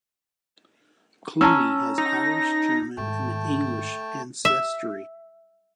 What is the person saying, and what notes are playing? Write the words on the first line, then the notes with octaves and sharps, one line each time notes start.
Clooney has Irish, German, and English ancestry.
C#4 A5 A#5 E6
D#4 A#6
G#2 D#3 A3 G5 A5
E5